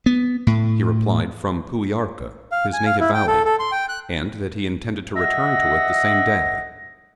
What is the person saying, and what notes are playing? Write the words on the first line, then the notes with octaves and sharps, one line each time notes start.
He replied from Pueearka, his native valley, and that he intended to return to it the same day.
B3
A2
F5
G#5
F5
E4
G5
A4
A4
C6
G5
F#6
D#5 E5 F#5 A#6